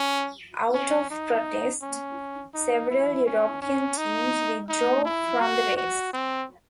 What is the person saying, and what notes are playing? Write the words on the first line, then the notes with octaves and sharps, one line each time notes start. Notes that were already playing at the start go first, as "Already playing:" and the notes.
Out of protest, several European teams withdrew from the race.
Already playing: C#4
C#4
D#4
C#4
D#4
E4
C#4
C#4
D#4
D#4
E4
F#4
F#4
C4